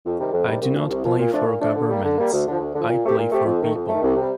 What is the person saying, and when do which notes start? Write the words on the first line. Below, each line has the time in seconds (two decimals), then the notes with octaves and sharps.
I do not play for Governments, I play for people.
0.04 F2
0.18 C3 D#3 G3
0.32 F2
0.46 C3 D#3 G3
0.60 C2
0.75 A#2 F3
0.88 C2
1.03 A#2 F3
1.18 A#2
1.32 F3 A3 D4
1.46 A#2
1.60 F3 A3 D4
1.74 D3
1.88 G3 A#3
2.03 D3
2.17 G3 A#3
2.31 D2
2.46 D3 F3
2.60 D2
2.73 D3 F3
2.88 A#2
3.03 A3 C4 G4
3.17 A#2
3.30 A3 C4 G4
3.45 F2
3.60 D#3 A3
3.74 F2
3.88 D#3 A3
4.02 C2
4.16 C3 G3